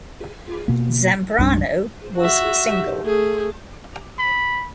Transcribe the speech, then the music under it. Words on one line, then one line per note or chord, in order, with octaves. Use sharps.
Zambrano was single.
B2 A#3
A#1 F#2 G3 D4
F#4 E5
A3 G#4
B5